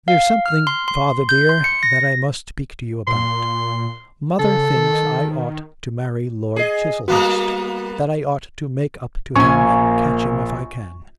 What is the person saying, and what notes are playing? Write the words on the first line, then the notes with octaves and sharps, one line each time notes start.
'There's something, father, dear, that I must speak to you about.... Mother thinks I ought to marry Lord Chiselhurst, that I ought to make up to him and catch him if I can.
F5
F6
C6
C6
G6
C6
C#7
A#6
A#2 C6
C#3 A4
D#3
G#4 D#5
G3 A#3 B3 F#4 F5 D#6
A#1 A#3 C#4 G#5 C#6